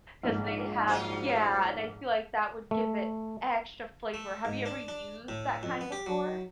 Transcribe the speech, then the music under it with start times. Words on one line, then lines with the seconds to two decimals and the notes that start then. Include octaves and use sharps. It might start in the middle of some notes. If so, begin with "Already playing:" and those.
'cause they have yeah, and I feel like that would give it extra flavor. Have you ever used that kind before?
0.23 A#1 G#2
0.88 F#3 F4 C5
2.71 A3
4.14 A3
4.45 G#2
4.66 D4
4.88 D4
5.28 A2
5.63 F2
5.81 B3
5.92 G4
6.06 F#3